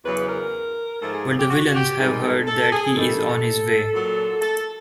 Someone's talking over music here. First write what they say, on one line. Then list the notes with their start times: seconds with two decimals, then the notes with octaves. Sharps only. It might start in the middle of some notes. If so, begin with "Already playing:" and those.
But the villains have heard that he is on his way.
0.04 E2 C#3 F#3 B4
0.29 A#4
1.01 G#2 F3 A4
1.13 G#4
1.38 G4
1.50 F#4
1.74 G4
1.99 G#2 D#3 G3 G#4
2.12 G#4
2.23 A4
2.47 A4
2.71 G#4
2.95 G2 D#3 G3 A4
3.93 A#2 F#3
4.41 A4